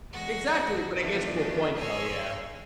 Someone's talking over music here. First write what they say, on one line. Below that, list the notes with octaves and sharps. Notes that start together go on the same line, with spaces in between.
Exactly, but it gets to a point though, yeah.
E2 G#3 F#4 A#6
D#3 F3 A3 B3 D4
C#5 G#5 A#5 C6 E6